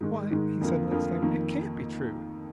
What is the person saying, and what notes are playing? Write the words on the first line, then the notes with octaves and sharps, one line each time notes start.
Why!" he suddenly exclaimed, "it can't be true.
G#2 D#3 G#3
G#2 D#3 G#3
F2 D3 F3 A#3 F4
F2 D3 F3 A#3 F4
F2 D#3 A#3